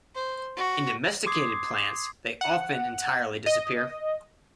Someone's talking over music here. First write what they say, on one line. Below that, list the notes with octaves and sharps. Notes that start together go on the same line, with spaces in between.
In domesticated plants they often entirely disappear.
C5
F#4
C6 D6 D#6 G#6 C7
F#5
D#5